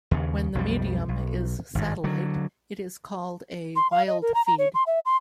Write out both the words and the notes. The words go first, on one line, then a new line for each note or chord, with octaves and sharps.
When the medium is satellite, it is called a wildfeed.
D#2 C#3
B1 F2 G3
B1
G#1 G2
D3 F#3
C6
F5
D#5
A#4
A#5
A#5
C#5
C6
E5
C6